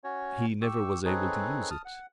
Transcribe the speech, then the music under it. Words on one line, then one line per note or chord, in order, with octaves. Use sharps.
He never was able to use it.
C#4 F#4 C#5
G4 C#6 E6
C4 D#4 G#4 A4 B4 C#5
A5 D#6 F6
F#5